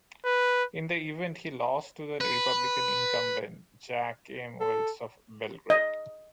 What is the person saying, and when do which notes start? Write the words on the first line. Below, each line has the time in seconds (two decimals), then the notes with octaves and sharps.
In the event he lost to the Republican incumbent, Jack M. Wells of Belgrade.
0.25 B4
2.21 B4
4.60 A4
5.70 D#5